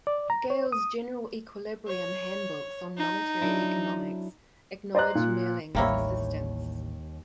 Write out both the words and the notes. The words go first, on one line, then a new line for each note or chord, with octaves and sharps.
Gale's general equilibrium handbooks on monetary economics acknowledge Merhling's assistance.
D5
A#5
C#5
D#6
C#5
D#4
F#3 D4 E4
C5 D5 D#5 A#5 F#6
A#2 F4
A1 D#2 G3 A#3 E4 C#5